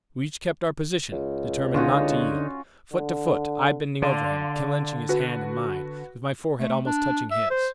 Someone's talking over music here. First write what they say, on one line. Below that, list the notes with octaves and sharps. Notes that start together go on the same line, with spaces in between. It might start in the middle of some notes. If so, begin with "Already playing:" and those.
We each kept our position, determined not to yield, foot to foot, I bending over him, clenching his hand in mine, with my forehead almost touching his.
C#2
D3 C#4 D#4 F4 F#4
D3
D3 D5 F5 C6
F#4 B4
A3
D4
E5
C5